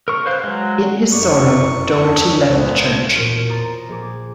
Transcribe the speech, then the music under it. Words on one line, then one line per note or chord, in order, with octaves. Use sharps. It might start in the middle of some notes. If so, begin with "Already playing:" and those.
In his sorrow, Doherty left the Church.
A#4 C#6
B4 C5 F5 F#6
F#3 G#3
F1 F#2 E4 D5 C#6
E2 C#4 G#4 A4
C#2 A#2 A3 B3 C5
E1 A#2 C#4 C5 C6 F6
A#5 C6 D#6 A6 A#6
A#1 G#4 D6